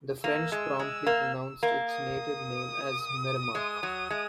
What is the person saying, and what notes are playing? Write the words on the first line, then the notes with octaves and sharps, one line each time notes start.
The French promptly pronounced its native name as "Merremack".
A#3 E6
G#3
G#3
A#3
A#3
D#6
G#3
F#3
G#3